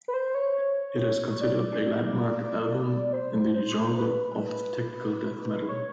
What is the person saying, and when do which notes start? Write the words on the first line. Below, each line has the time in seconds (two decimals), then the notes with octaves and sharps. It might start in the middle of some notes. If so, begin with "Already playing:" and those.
It is considered a landmark album in the genre of technical death metal.
0.08 B4
0.14 C5
0.35 C#5
1.41 D5
3.13 C5
3.55 C5
3.98 B4
5.69 C#5